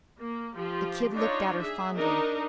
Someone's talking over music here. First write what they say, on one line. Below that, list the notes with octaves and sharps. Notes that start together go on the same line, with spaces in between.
The Kid looked at her fondly.
A#3
F3 F4 G4
D4 D#4 F4 C#5
G#4 E5
D4 D#4 A#4 D#5